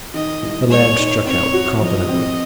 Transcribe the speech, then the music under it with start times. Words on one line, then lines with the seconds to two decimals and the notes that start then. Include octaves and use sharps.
The lad struck out confidently.
0.14 D#3 D#5
0.42 C2
0.70 G#3 C#5
0.98 D#4
1.26 C4 C#5
1.54 F#4
1.81 F3 D#5
2.09 C4